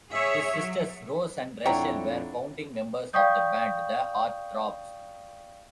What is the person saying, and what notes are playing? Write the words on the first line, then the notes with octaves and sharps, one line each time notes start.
His sisters Rose and Rachel were founding members of the band The Heart Throbs.
G#4 C#5 E5
F#3
F2 D4 E4 C#5 F#5 G5 A#5
D5 F5 G5 C#6 D#6 G6